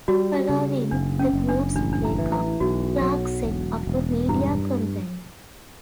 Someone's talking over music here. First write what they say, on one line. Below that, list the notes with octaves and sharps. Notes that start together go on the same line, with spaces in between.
Following the group's break-up, Clark set up a media company.
G3 F#4
C#3
F#1 D4
C#4
F#1
D4
A1 D4
D4
E4
E3
E4
B1 F#4
F#3
E1
E1
G2 E4